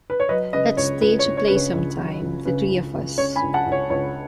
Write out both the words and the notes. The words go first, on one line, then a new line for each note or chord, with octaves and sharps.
Let's stage a play sometime, the three of us.
B4
C#5
F#3 B4 D#5
C#3 B4 D#5
C#2 C#5
C#2 B4
C#5
C#2
C#5
C#3 B4
C#5
C#2
F#3
C#2
C#3 B4
C#2
C#2
C#3 C#5
G#5 B5
C#2
F#5 A5
C#2
C#5
C#2 C#5